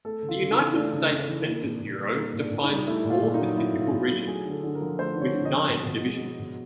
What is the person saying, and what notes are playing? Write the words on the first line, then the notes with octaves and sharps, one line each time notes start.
The United States Census Bureau defines four statistical regions, with nine divisions.
A3 A4
C#3
F4
C#3
D#4
E3
A3 D4
C#3
C#3
E3
A#3
A#2
A#2
G3
A#3 D#4
A#2
D4
A#2
D#4
G3
A3 E4
A#2
F4
A#2
D#4
F#3
A3 E4
A#2
F4
A#2
F#4
F#3
A3 G#4
D3
A4
D3
A#4
F3
A3 C5
D3
C#5
D3
D#5
F3
B2
B2
G#3
G#3
B2